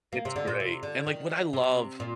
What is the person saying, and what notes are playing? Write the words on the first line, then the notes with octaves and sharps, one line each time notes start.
it's great, and, like, what I love,
A#3
C3
D3
A#2
C3
D3
D#3
C3
A#2